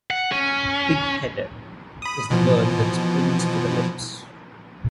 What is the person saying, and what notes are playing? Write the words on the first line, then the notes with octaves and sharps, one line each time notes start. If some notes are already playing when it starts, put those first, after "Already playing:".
"Pig-headed" is the word that springs to the lips.
F#5
C#4
B5 D#6
B2 E3 F3